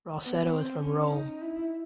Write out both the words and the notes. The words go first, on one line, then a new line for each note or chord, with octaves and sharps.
Rossetto is from Rome.
B3
C4
C#4
D#4
E4